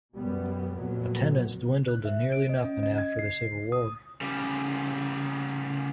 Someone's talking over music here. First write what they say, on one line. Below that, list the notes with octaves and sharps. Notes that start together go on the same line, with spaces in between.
Attendance dwindled to nearly nothing after the Civil War.
F#2 B2 G3 B3
F2 A#2 F#3 B3
F#6
E5
D7
D#5
C#4
D#5
G#6
C7
D#6
C#3 G3